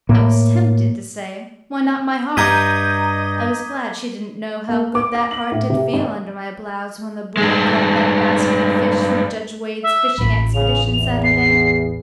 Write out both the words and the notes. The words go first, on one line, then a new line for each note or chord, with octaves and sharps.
I was tempted to say, "Why not my heart?" I was glad she didn't know how good that heart did feel under my blouse when the boy brought that basket of fish from Judge Wade's fishing expedition Saturday.
A2 A#3
G2 D#5 A#5 D6 G6 G#6 B6 D#7
A#3
D6
A#6
F#7
A2
C3
G#1
G2 G#3
E5
A1 F4 B5
C#3 F7
E2
C7